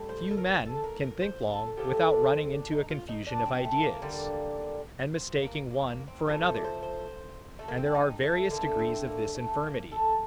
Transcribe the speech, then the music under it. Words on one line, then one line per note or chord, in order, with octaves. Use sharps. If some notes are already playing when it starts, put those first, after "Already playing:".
Few men can think long without running into a confusion of ideas, and mistaking one for another; and there are various degrees of this infirmity.
Already playing: A2 G3
C5
A4
A#4
A4
A#4
A#4
C5
A4
A2 F3 A3 G4
D4
C4
D4
D#4
F4
D#4
D4
C4
A3
A#3
D3 G3
C4
A#3
A#3
A#3
C4
A2 F3 A3 A#4
C5
D5
C5
C5
A3
A#3
C4
D4
D#4
A3
D3 A3 A#3
C4
A#3
A3
A#3
A4